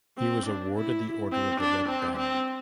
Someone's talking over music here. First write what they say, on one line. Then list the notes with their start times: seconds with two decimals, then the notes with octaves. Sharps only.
He was awarded the Order of the Red Banner.
0.18 C4
0.46 D4
0.75 E4
1.32 C4
1.60 D4
1.88 C4
2.17 C4